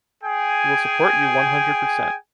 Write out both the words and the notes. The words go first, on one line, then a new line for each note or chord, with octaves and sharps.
We will support you, one hundred percent!
G#4 G5 G#5